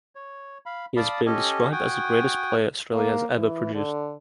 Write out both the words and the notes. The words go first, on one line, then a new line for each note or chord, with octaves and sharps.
He has been described as the greatest player Australia has ever produced.
C#5
F5 B5
D5 F5 A5 B5 D#6
C#4 G4 A4 D#5 G#5
F#4 G5 G#5 D#6
A#3
E3
D3